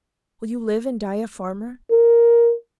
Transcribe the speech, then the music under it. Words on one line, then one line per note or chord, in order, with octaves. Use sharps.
Will you live and die a farmer?
A#4